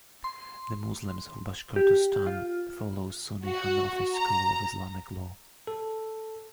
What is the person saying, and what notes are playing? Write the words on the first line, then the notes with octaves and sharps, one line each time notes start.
The Muslims of Bashkortostan follow Sunni Hanafi school of Islamic law.
C6
G4
F4
F#4
A#5
A4